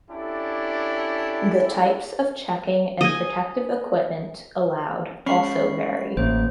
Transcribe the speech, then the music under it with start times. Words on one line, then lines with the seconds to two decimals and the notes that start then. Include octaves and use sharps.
The types of checking and protective equipment allowed also vary.
0.11 C#4 D4 E4 G4 A4
3.01 D#5 G#5
5.26 G#3 C#4 B5 C#6 C7
6.17 A1 A#3 C5